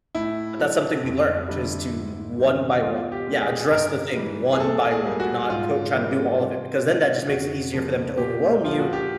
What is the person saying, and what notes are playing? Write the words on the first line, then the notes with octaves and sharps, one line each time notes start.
That's something we learned is to one by one Yeah, address the thing one by one, do not coat try to do all of it because then that just makes it easier for them to overwhelm you
A2 E4
F#3 A3
F2
D3 G3
G#2
D#3 G3
B2 F4
G4
G#3
G#4
G2 A#4
E3 G3
G#4
A#2 A4
G#4
G3 A#3
F#4
G#2 F4
E3 G3 A#3
C3
D#3 G#3
F2 F#4
C#3 F3 A#3
A#2 G4
F3 A#3 F4
F#4
G4